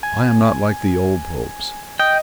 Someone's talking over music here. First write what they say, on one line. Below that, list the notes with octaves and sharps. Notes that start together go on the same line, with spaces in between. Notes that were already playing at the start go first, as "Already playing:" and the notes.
I am not like the old Popes.
G#5
D#5 G5